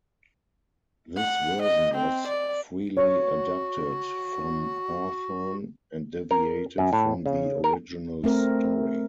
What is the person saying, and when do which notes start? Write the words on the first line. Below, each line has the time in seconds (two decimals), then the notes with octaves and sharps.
This version was "freely adapted" from Hawthorne and deviated from the original story.
1.17 F#5
1.62 D#5
1.95 C4
2.28 D5
2.97 F#4 C#5
6.31 A#4
6.78 F#2
6.93 A2
7.26 C#3
7.64 A#4
8.24 A3 C4 A#4